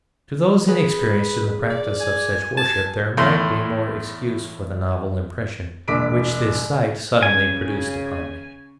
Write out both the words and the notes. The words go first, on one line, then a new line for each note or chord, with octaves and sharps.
To those inexperienced in the practice of such worship there might be more excuse for the novel impression which this sight suddenly produced upon me.
G#4 B4
D5
G#5
G#5 A5
E2 A2 C6
E1 A#1 D6 B6 D7
C#3 G#5